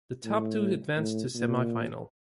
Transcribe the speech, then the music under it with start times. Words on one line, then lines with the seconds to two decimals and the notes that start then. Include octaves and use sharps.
The top two advanced to semifinal.
0.25 A2
0.97 A2
1.35 A#2